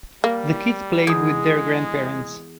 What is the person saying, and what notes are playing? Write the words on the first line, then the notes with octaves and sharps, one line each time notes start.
The kids played with their grandparents.
G3 A#3
E2 G#3 D#6 G#6